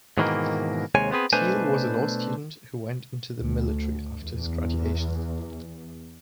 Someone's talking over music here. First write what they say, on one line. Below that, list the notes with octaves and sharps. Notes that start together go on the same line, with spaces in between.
Teele was a law student who went into the military after his graduation.
G#2 B2 D#3 E3 G3 A#3
D#2 C3 G#3 C#5 G#5
B3 C4 G#4 B4
B2 A3 D4 B4 C5 G#5
D2
E2